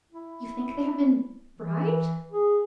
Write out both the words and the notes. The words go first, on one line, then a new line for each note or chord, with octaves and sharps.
"You think they have been, bribed?"
E4
E3
G#4